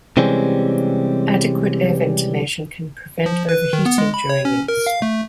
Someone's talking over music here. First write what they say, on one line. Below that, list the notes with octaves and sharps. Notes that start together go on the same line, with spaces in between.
Adequate air ventilation can prevent overheating during use.
C3 E3 G3 G#3 C4 C#4
F3
B4
D#3
B3
G#3
B5
C#5
C#4
A#4
F5
A3